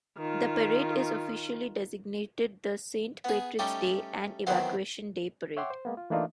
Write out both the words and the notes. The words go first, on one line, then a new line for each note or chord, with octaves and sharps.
The parade is officially designated the Saint Patrick's Day and Evacuation Day Parade.
D#3 F4
B3 G#4
G3 A3 C#4 D#4 G4
D#3 E3 F#3 B3 C4
C#5 E5 F#5 G5 C6 D6
C5
G#3 A#3 B3
F4
E3 A3 A#3 D4 D#4 F4